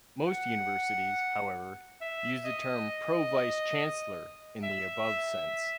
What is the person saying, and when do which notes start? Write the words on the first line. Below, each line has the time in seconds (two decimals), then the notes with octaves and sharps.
Most universities, however, use the term pro-vice-chancellor in the above sense.
0.27 F#5
2.01 E5
2.45 D#5
4.63 E5